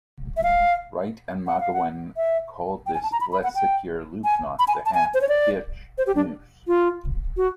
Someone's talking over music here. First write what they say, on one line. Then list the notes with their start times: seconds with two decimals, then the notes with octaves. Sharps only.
Wright and Magowan called this less secure loop knot the "half-hitch noose".
0.37 E5
0.43 F5
1.47 F#5
1.60 F5
1.73 F#5
2.17 E5
2.86 G5
2.95 G#5
3.03 A5
3.12 A#5
3.21 B5
3.32 B5
3.44 F#5
3.55 G5
4.24 G#5
4.59 B5
4.68 G#5
4.86 A5
4.94 G#5
5.14 C5
5.21 C#5
5.29 D5
5.98 C5
6.07 G4
6.16 D4
6.67 F4
7.37 F#4